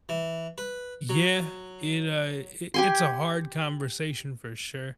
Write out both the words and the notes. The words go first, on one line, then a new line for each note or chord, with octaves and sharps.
Yeah. It, uh, i it's a hard conversation for sure.
E3
B4
F#3
G4 G#5 C6